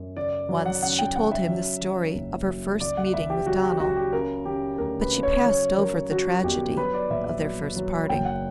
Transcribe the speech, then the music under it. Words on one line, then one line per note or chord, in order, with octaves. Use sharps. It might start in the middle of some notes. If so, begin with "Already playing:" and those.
Once she told him the story of her first meeting with Donal--but she passed over the tragedy of their first parting.
Already playing: F#2
C#3 D5
F#3
F#5
C#3 F#5
G5
C#3 F#5
E5
F#3
F#3
F#1
F#3
C#2 D5
F#5
C#2 E5
G4
F#3 F#4
G4
C#2 F#4
G4
C#3 A#4
C#3 G4
D2 A#4
B4
C#3
C#5
F#3 C#5
F#3 A#4
F#3 F#4
G1 G4
F#3 B4
D5
A#1 E5
E5
F#3
F#3
F#1 G5
F#5